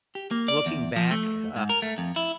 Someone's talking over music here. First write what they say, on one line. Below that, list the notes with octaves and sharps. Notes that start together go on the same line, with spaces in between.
looking back, uh,
G4
A#3
D5
E2
F3
A3
G#2
A#4
A3
F2
E4